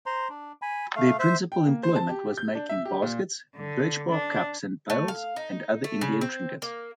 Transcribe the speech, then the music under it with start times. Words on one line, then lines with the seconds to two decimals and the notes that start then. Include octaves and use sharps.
Their principal employment was making baskets, birch-bark cups and pails, and other Indian trinkets.
0.06 C5 A#5 C6
0.29 D4
0.62 G#5 B5
0.96 A3 F5
1.19 C5 E5
1.52 G5
1.66 A#3
1.83 C5
1.95 A5
2.09 G4
2.37 G6
2.55 D4
2.69 E5
2.85 G4
3.02 A#2
3.56 D3
4.12 D4
4.90 A3
5.08 F5
5.36 D#4
5.84 A3
6.01 C#3
6.21 C4
6.62 A#3